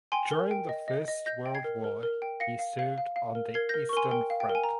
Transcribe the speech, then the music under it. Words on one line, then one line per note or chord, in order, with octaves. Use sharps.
During the First World War he served on the Eastern Front.
G5 G#5 C6
A#4
G5
D#5
D#5
D#5
D#5 G6 A#6
G5
G#6 C7
A#4
A#4
A#4
G5
F5 A#6 C#7
F5
F5
F5
F5
A#4
A#4 G#6 C7
A#4 G6 A#6
C#6
A#4 G#5 C6
A#4 G5
F5
G5
A#4
G#5
A#5